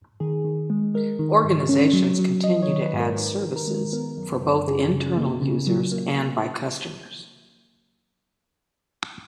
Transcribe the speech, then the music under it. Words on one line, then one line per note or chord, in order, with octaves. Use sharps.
Organizations continue to add services for both internal users and by customers.
D#3 G#4
D#3
G#3
G#3 A#4
D#3
G#2
C#4
F#3
F#3
F#3 D#5
C#5
D#3
B4
G#2
A#4
D#3
D#3
A#4
G#3
B3 A#4
F#2
F#2
C#3 G#4
C#3
A#3
C#3
F#3
A#3